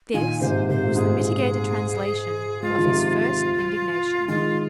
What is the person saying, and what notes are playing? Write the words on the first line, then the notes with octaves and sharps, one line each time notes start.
This was the mitigated translation of his first indignation.
A#2 D#3 G#5
G#2 C3 C5
C3 C5
A#2
G#2 G#4
A#2
G#3 F4
F3
D#3
C3 F3
D#3 G#3 F4